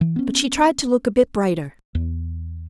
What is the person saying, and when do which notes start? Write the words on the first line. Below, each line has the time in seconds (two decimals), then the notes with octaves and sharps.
But she tried to look a bit brighter.
0.01 E3
0.16 B3 C#4
1.95 E2